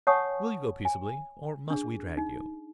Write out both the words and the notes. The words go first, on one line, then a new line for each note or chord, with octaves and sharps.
"Will you go peaceably or must we drag you?"
C#5 F#5 G#5 A5 C#6 D#6
G#5
D4 G#4
D#4